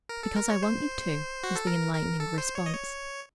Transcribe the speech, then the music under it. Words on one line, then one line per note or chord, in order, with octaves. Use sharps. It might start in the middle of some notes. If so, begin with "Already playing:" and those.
"Because I want you to," was the enlightening response.
A#4
A4
A#4
C#5
C5
F#4
A4
A#4
A#4
A4
C5
C#5
D#5
C#5